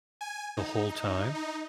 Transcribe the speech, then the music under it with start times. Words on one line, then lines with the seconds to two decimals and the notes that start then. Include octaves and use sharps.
The whole time?
0.21 G#5
0.57 D#4
1.35 D#4